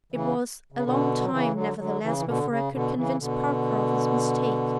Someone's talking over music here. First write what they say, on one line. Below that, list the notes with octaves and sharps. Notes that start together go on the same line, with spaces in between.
It was a long time, nevertheless, before I could convince Parker of his mistake.
C#3 E3
C#3
B2 D3
F#3
C#3 E3
D3 F#3
D3 F#3
C#3 E3
E3
B2 D3
B2
C#3
B2 D3
C#3 E3
B2 D3